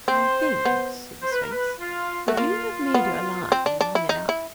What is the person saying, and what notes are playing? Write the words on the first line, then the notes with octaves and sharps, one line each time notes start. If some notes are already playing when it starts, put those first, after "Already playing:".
"I think," said the Sphinx, "that you have made your line long enough."
C4 C5
B3
C5
B4
A#4
B4
F4
A3 F#4
A#3 F4
B3
C4
D4
D4
E4
D#4
E4